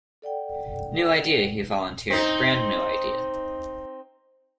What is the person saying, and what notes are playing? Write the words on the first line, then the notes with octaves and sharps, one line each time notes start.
New idea, he volunteered, brand new idea.
A4 D5 F#5 G5
C4 D#4